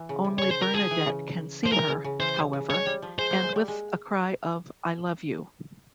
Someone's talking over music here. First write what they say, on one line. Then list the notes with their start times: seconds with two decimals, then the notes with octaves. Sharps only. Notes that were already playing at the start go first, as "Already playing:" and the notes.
Only Bernadette can see her, however, and with a cry of I love you!
Already playing: E3
0.09 C#3
0.24 C3
0.39 C#3 C#5
0.51 C5
0.62 A#4
0.74 F3 G#4
0.91 E3
1.06 C#3
1.63 F3 C5
1.72 E3 A#4
1.88 C#3
2.04 C#3
2.20 E3 C5
2.37 C3
2.53 C#3
2.70 G#3 C#5
2.86 G3
3.02 F3
3.18 G#3 C5
3.31 A#3
3.43 G#3
3.56 G3
3.68 G#3